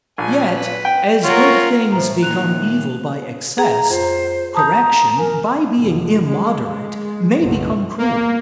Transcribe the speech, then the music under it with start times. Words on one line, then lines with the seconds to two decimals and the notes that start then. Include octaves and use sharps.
Yet, as good things become evil by excess, correction, by being immoderate, may become cruel.
0.18 A#1 G#5
0.53 B4
0.85 G5
1.24 F4 F#4 A#4 C#5
1.92 A2 C5 A#5
2.23 A#2 D#3 A#3 F#6 F7
3.58 G#4 A#5
3.90 F2 C5
4.55 A5 A#5 D#6 G6
5.18 A#4 G#5
5.78 F1
6.26 G#3
6.64 G#3
7.39 F#1 B1
7.98 A#3